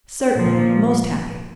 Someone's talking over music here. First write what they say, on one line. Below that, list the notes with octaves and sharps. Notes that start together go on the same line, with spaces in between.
"Certainly; most happy."
A#2 F3 A#3